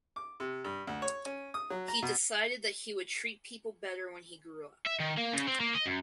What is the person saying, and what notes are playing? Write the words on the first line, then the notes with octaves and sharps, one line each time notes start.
He decided that he would treat people better when he grew up.
D6
C3
G2
D2
C#5
C#4
D#6
F#3
A#5
B2
E5
D#3
A#3
C#3
C4
A#3
D#5
F#2